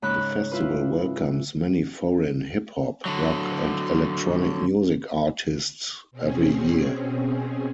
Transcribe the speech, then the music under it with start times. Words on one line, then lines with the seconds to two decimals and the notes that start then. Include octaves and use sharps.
The festival welcomes many foreign hip-hop, rock and electronic music artists every year.
0.02 G#2 C#3 B5 F#6
0.52 E4 F4 B4
3.06 D3 F#3
6.11 B2 C4 C#4 G#4